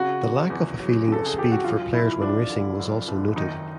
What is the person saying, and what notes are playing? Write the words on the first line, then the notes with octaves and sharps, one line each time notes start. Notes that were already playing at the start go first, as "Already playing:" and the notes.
The lack of a feeling of speed for players when racing was also noted.
Already playing: C#3 F#4
E2
E2
F#3
C#3 A4
G#4
E2 G4
F#4
F#2 F4
F#1 E4
F3 D4
D3
F#2
F#1
D#3 D#4